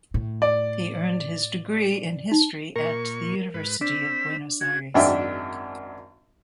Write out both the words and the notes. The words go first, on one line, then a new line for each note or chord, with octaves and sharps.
He earned his degree in history at the University of Buenos Aires.
A2
D5
D#4
A#2 A#4 C#6
G#2 B4
C4 D4 E6 B6
F#4 G#6
G#1 F#2 D4 E5 G5